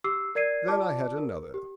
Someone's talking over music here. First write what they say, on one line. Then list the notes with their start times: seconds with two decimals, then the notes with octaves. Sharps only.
Then I had another.
0.04 G4 D6 E6 C7
0.35 A#4 D5 G#6 C7 D#7
0.68 F4 D5 A5 D6
1.18 A#4
1.54 G4